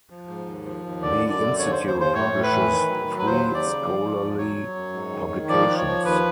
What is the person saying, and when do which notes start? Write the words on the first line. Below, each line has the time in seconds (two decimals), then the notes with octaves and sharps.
The institute publishes three scholarly publications.
0.10 F3
0.28 G#2
0.46 D#2
0.66 F3
0.84 D#2
1.02 D3 D5
1.22 F#2
1.30 D5
1.40 D3
1.59 D#2 C#5
1.72 D#2 C5
1.87 C5
1.95 D#2
2.01 C5
2.15 A2 C#5
2.33 A2
2.43 B4
2.52 E3
2.70 D#3
2.88 F#3
3.07 F#3
3.19 B4
3.26 D#2 C5
3.45 D#2
3.54 D5
3.64 C#3
3.82 F3
4.00 F3
4.19 E2
4.38 F#3 C#5
4.56 F#3
4.75 F#2
4.93 G#2
5.12 D#3
5.31 D#3
5.49 F3 D5
5.69 F3
5.78 C#5
5.87 F3
6.05 D#2 B4